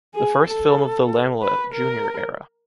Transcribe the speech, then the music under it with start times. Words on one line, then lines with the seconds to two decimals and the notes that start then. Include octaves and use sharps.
The first film of the Laemmle Jr. era.
0.15 G#4
0.48 A4
1.43 B4
1.73 A#4